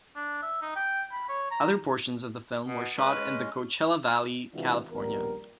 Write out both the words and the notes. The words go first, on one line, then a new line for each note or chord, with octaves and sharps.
Other portions of the film were shot in the Coachella Valley, California.
D4
E5
D#4
G5
B5
C#5
A#5
B2
G#3 C#4 B4
C3 E3 G#3 D4 F4 F#4
A#1 D#2 G3 B3 A#4